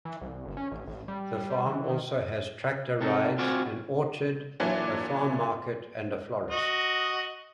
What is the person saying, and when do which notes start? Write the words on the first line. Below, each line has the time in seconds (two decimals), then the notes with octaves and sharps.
The farm also has tractor rides, an orchard, a farm market and a florist.
0.05 E3
0.21 C2
0.46 G1
0.57 C#4
0.72 A1
0.87 A1
1.08 G3
1.50 G3
1.66 E3
1.89 D#3
3.01 C3 D#4 A4
3.38 C4 F4 F#4 D5 G#5
4.60 A#2 E3 F#3 D4 D5
6.51 F#4 D#5